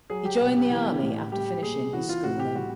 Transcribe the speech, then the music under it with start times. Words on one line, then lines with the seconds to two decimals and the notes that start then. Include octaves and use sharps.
He joined the Army after finishing his schooling.
0.10 F#3 G#4
0.25 G4
0.40 B2 G4
0.56 G4
0.71 E3
1.01 A2
1.32 G3 G4
1.63 A#2 G#4
1.93 E3 F#4
2.09 F4
2.24 A2 F#4
2.40 G4
2.55 G3 F#4